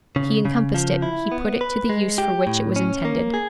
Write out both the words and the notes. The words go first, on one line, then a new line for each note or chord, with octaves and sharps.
If he encompassed it, he put it to the use for which it was intended.
C#3
C#3
F3
E4
B3
B4
G#3
G4
A2
C#4
A#3
G#4